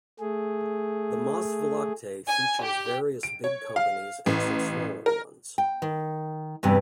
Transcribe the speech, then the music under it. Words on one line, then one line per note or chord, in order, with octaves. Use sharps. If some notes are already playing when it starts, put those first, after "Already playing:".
The Maasvlakte features various big companies and some smaller ones.
A3 G#4
G#5
G4
D7
C#5
F5
A1
A#4
G5
D#3
E2 G2 C3